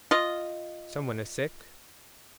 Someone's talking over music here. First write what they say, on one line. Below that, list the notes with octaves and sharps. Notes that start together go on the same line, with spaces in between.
"Someone is sick?"
F4 D#5